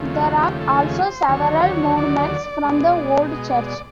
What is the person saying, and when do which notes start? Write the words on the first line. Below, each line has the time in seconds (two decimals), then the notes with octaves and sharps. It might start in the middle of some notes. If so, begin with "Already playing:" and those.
There are also several monuments from the old church.
Already playing: D#2 C#3 F3 A3
0.14 F#4
0.37 G4
0.61 A4
0.83 G#4
1.05 C5
1.28 D#2 D3 F#3 C#5
1.63 C#5
1.97 D5
2.64 B2 G#3
3.33 D#5
3.51 D5
3.67 D5